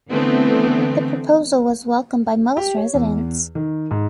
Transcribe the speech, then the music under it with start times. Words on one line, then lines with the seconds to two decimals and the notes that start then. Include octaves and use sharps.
The proposal was welcomed by most residents.
0.11 D3 E3 A3 B3 C4
2.57 G4
2.76 C#5
2.94 E2
3.55 D#3
3.91 G#2